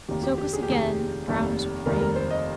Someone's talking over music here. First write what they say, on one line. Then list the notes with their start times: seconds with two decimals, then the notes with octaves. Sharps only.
"Soak us again-- Drown us with rain!"
0.08 F1 D#2 D#3 G4
0.23 G4
0.38 G4
0.53 G#4
0.63 G4
0.68 F1 D#2 D#3 G#4
1.27 F1 D#2 D#3 G3
1.86 F1 D#2 D#3 G3 A#4
2.01 A#4
2.16 C5
2.30 D#5